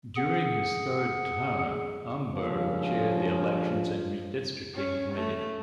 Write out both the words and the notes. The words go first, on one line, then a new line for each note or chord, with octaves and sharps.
During his third term, Umberg Chaired the Elections and Redistricting Committee.
G#4 F#5
C#2 G2 A#2 C#3 F3
C#4
A3